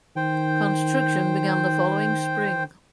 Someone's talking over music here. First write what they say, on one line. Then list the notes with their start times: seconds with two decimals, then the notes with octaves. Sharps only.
Construction began the following spring.
0.16 D#3 C5 G5